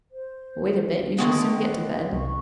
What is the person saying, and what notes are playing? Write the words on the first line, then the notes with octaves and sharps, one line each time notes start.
Wait a bit, you shall soon get to bed....
C5
D3 D#3 G#3 B3 B4
C2 C#6